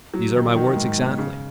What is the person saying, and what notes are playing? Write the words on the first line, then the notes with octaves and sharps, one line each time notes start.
"These are my words exactly."
F#3
D#3
D#3
G#2
B2
C#3